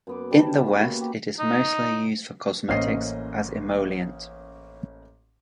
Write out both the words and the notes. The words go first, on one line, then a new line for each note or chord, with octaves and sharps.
In the West it is mostly used for cosmetics as emollient.
F#2 B3 D6
C3 G3 A5 B5
G3 G#4
A#3 C#4 F#4 B4
A#3 B3
G4 A#5 B5
D#4
A1 A#3 C#4 C5 D#5 C7